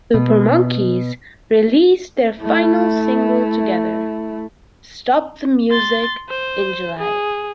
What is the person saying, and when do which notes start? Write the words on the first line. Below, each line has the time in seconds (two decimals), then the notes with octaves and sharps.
Super Monkey's released their final single together, "Stop the Music" in July.
0.14 B2
2.41 A3 E4
5.71 C6 A6
6.29 C5
6.99 G#4